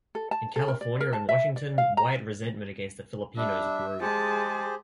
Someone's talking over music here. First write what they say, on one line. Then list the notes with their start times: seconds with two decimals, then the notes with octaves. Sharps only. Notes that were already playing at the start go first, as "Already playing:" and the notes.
In California and Washington, white resentment against the Filipinos grew.
0.15 A4
0.31 A5
0.56 A4
0.68 A#4
0.81 D5
1.00 A#4
1.13 A5
1.29 E5
1.56 D5
1.78 F5
1.97 A#5
3.37 G3 D4 E5
4.01 G#3 G4 G#4 C5 A5